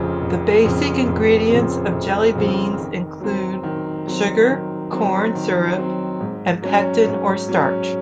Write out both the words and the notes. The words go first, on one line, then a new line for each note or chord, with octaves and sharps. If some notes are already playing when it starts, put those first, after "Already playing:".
The basic ingredients of jelly beans include sugar, corn syrup, and pectin or starch.
Already playing: F1 F2 C#3 F3 C4
F1
F2 C#3 F3 C4
F1
F2 C#3 F3 C4
F1
F2 C#3 F3 C4
D#3
F#3 C4
D#3
F#3 C4
D#3
F#3 C4
D#3
F#3 C4
G#2
F#3 C#4
G#2
F#3 C#4